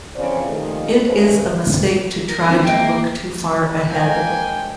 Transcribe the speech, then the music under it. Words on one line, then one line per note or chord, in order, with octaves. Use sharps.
It is a mistake to try to look too far ahead.
C#3 E3 F3 C4 C5 D5
A#2 D#3 F3 G3 A3
G2 C#3 A3 C4 B4 C5
A#4
D#3 C4
A#3 G#4 D#5 E5 G5
F3 G#3 A#3 D4 G5 G#5